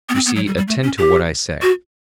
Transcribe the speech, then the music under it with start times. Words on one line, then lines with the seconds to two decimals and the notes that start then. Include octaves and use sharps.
You see, attend to what I say.
0.09 B3
0.15 C4
0.26 B3
0.36 F#3
0.47 G3
0.57 G3
0.68 A3
0.83 C#4
0.99 G4
1.62 F#4